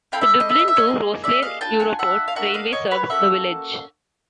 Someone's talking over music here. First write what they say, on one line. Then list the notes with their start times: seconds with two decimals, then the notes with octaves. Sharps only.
The Dublin to Rosslare Europort railway serves the village.
0.12 C4 E4 A4 F5 G5
0.21 D5 E5
0.40 D#5
0.49 E5
0.59 D#5
0.68 E5
0.76 C#5 D#5
0.87 A#3 D#4 G#4
1.24 D5 E5
1.42 D#5 F5
1.61 D4 F4 A4 G5 A5
1.80 F#5 G#5
1.99 E5 F#5
2.28 F5
2.35 A#3 D4 F#4 E5 F#5
2.54 D#5 F5
2.72 C#5 D#5
2.91 B4 C#5
3.10 A#3 C#4 F#4 A4 E5 F#5